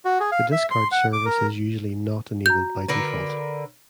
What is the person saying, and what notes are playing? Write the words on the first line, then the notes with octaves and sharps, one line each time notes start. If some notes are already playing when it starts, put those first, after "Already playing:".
The discard service is usually not enabled by default.
F#4
G#4
F5
E5
C6
F#5
D6
A#4
F#4 A#5 G6
D3 A#4 B4